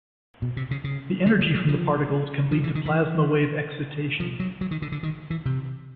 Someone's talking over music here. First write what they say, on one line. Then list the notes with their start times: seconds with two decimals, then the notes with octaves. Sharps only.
The energy from the particles can lead to plasma wave excitation.
0.42 B2
0.57 C3
0.71 C#3
0.84 C#3
1.26 D3
1.41 F3
1.55 F#3
1.68 F3
2.51 F3
2.64 E3
2.75 D#3
2.86 E3
4.20 F3
4.40 F#3
4.61 F#3
4.71 D#3
4.82 D3
4.92 D3
5.03 D#3
5.30 E3
5.46 C3